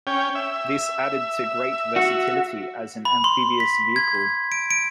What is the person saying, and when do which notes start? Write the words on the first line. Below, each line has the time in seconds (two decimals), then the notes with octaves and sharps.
This added to great versatility as an amphibious vehicle.
0.07 C#4 G5
0.35 E5
1.96 F#4
3.05 B5
3.24 C6
3.60 B6
3.96 G#6
4.15 G#6
4.52 D7
4.71 D7